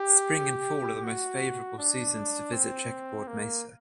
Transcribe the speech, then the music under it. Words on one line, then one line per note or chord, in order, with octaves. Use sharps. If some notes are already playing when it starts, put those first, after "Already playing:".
Spring and fall are the most favorable seasons to visit Checkerboard Mesa.
Already playing: G4
F#4
D4
C4
A#3